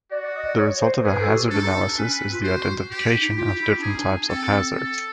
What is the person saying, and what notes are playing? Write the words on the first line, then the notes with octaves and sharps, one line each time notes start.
The result of a hazard analysis is the identification of different type of hazards.
F#4 D5
D5
D#5
D5
C#5
C5
G#4 B4
A4
F#4
G4
D4 A4
D#4
D4
C#4 B4
C4
F4
G4
F#4 C5
G4
D4
D#4
E4
F4 G4
E4
D4
D#4 G#4
C#4
D4
C4 A4
A4